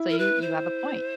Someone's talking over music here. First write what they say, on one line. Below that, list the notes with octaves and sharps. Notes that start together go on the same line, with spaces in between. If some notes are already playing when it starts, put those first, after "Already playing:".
So, you you have a point.
Already playing: E4
A#4
B4
C5